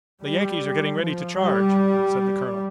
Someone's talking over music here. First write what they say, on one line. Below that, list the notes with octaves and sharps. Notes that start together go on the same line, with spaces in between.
"The Yankees are getting ready to charge," said the colonel.
G3
F3
G3